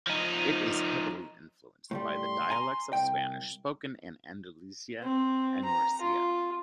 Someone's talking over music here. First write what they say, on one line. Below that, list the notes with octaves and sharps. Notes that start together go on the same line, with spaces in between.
It is heavily influenced by the dialects of Spanish spoken in Andalusia and Murcia.
F3 D#4
A2 C#3 G3 C6
G#5 A#5
C2 G5
C4
A#5
F4